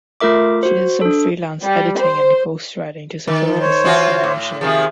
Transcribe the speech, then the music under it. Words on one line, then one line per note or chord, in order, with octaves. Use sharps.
She did some freelance editing and ghostwriting to support herself financially.
A3 F4 A#4 E5 D6
F#4 C5
D4 A4
G3
C5
D#3
F3
C5 C#5
E3 F4 F#4
A2
C3 D#3 F3 G#4